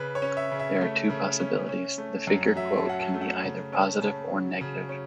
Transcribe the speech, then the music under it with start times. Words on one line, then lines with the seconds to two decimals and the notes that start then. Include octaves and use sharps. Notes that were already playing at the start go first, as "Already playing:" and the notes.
There are two possibilities: the figure quote can be either positive or negative.
Already playing: C#3 B4
0.15 C#5
0.22 C#4
0.37 E5
0.51 C#3
0.59 E5
0.81 A3
1.10 C#3
1.40 C#4
1.69 C#4
1.98 A3
2.27 F#2
2.56 F#3 E5
2.78 A5
2.86 C#4 F#5
3.00 A5
3.14 A3
3.21 F#5
3.44 C#3
3.72 C#4 A5
4.02 C#3 A5
4.31 F#3
4.61 C#3
4.89 C#4